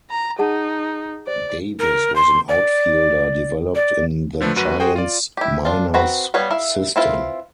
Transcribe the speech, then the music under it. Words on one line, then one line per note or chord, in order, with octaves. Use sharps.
Davis was an outfielder developed in the Giants minors system.
A#5
D#4 G#4 F#5 A5
C5 D5
A#4
C6
D5
D5
D3 F3 A3 B4
F#2 F#4 B4 D#7
F#4 G#4 C5 G5
F4 D5
E4 G4
D4 F4
C4 F#4 B4 A#5
G3 B3 B4 C#5 F5
E4 E5 F5
C4 E4 F4 B4